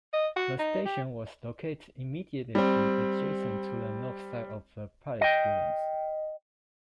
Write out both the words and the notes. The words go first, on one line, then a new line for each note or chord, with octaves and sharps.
The station was located immediately adjacent to the north side of the Palace buildings.
D#5
F#4
D#4
G4
G3 C4
D#5 G5